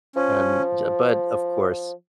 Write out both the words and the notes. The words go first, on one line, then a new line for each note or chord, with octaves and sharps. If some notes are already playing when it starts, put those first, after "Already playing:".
and j but, of course,
F3 C#4
F3